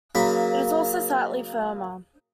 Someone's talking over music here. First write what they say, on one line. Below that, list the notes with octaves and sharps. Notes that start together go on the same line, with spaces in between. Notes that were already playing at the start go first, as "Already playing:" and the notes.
It is also slightly firmer.
C#3 F#3 A#3 B5